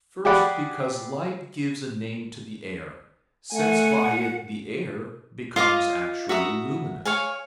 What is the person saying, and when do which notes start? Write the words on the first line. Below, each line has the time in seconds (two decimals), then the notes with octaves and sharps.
First, because light gives a name to the air, since by it the air becomes actually luminous.
0.25 G4 G#4 D5 F#5 B5
3.53 A3 F#5 G#5
5.56 F4 D#5 F5 D6
6.29 F#4 E5 A#5 D#6
7.05 C#5 F5 G#5